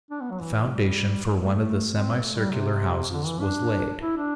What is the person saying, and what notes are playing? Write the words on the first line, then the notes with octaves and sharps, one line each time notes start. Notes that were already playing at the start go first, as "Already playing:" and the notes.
The foundation for one of the semi-circular houses was laid.
D4
B3
F#3
E3
G3
A3
C4
A3
G3
C3
D3
E3
D4
E4
D4